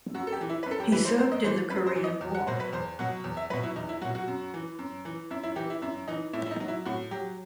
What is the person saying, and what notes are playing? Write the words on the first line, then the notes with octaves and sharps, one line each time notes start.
He served in the Korean War.
F#2 F#4
A4
G4
E3
E4
F#2 B4
A4
G4
E3 B4
C5
F#2 C5
D#5
E3 C5
F#2 B4
C5
E3
D#5
E2
F#5
B2 F#3 C5
B4
E2 C5
B2 F#3 F#5
E2
E5
B2 F#3 B4
E4
E2 D#4
E4
B2 F#3 F#4
F#4
F#2
E3
F#2
E3
F#2 E4
E4
E3 G4
E4
F#2 E4
E3 D#4
A2 E4
E4
D#4
F#3
E4
A2 F#4
F#3 G4